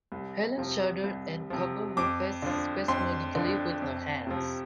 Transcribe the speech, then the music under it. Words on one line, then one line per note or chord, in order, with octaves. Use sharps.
Helene shuddered and covered her face spasmodically with her hands.
C2
C3 F3
C2
C3 F3
F2 D6
D3 F3
F2 C6
D3 F3
F2
C3 F3